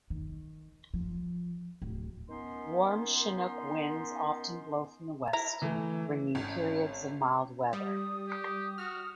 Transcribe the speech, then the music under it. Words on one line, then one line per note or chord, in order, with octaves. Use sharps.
Warm chinook winds often blow from the west, bringing periods of mild weather.
D#3
F3
D1
D#3 B3 C#4 D#4 C6
E4 A#5
E3 A3
G#1 C#4
G3 D#6
G4
F#4 F6